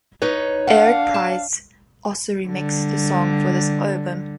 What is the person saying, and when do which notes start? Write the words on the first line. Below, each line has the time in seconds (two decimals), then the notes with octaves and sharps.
Eric Prydz also remixed the song for this album.
0.22 D#4 B4 C#5
0.67 D4 F5 F#5
1.14 A5
2.47 D3 G3